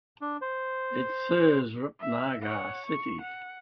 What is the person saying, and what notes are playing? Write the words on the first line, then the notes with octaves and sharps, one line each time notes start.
It serves Rupnagar city.
D4
C5
E5
C#5 F#5
C#6
F#5